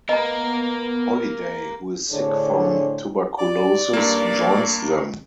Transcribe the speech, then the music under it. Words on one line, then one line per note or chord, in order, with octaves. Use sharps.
Holliday, who is sick from tuberculosis, joins them.
A#3 B3 A#4 D#5 A#5
A2 D3 D4 G#4 C5 C#5
D5
G2 A#3